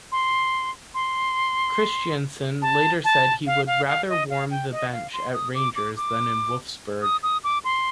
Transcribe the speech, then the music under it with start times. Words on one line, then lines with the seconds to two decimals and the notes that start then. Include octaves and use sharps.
Christiansen later said he would rather warm the bench at Rangers, than in Wolfsburg.
0.12 C6
0.95 C6
2.62 A5
3.05 A5
3.47 F5
3.67 F5
3.87 F5
4.09 D#5
4.30 F5
4.51 G5
4.72 D#5
4.93 F5
5.13 C6
5.34 D#6
5.55 D6
5.76 D6
5.97 D6
7.02 D#6
7.23 D#6
7.44 D6
7.65 C6